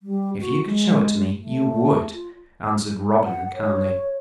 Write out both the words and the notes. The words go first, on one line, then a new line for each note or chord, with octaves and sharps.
"If you could show it to me, you would," answered Robin, calmly.
G3
F#4
G#3
A3
F4
F#5
C#5